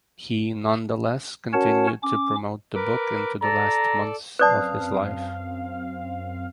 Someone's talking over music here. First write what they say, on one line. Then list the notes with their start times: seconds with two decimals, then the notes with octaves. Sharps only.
He nonetheless continued to promote the book into the last months of his life.
1.53 C#4 F#4 A#4 C#5 F#5 A5
2.03 C#4 D6
2.75 A#4 B4 D6
3.42 A4 D5 A#5
4.39 F#2 C4 B4 D5 F5 A5 D#6 F#6